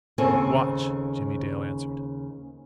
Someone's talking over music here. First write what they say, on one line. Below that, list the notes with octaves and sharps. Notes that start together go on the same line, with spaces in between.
"Watch!" Jimmie Dale answered.
D#2 C#3 C4 A4 G#5